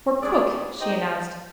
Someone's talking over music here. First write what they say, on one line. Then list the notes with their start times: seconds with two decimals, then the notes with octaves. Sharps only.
"For cook," she announced.
0.22 G3 D4 G#4 D5
0.78 D#4 G4 C5 D#5 G5